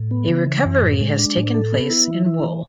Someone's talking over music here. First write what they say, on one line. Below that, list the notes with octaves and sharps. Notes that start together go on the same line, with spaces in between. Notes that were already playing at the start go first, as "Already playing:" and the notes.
A recovery has taken place in wool.
Already playing: A2
B3
C#3
E3
F#2
A2
G#3
D4
A2
A4
B3
E4
E3
E4
E3